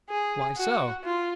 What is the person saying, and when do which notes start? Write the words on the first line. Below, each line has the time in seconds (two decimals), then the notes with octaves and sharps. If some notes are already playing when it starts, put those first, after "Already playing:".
"Why so?"
0.10 G#4
0.57 F#4
1.04 F4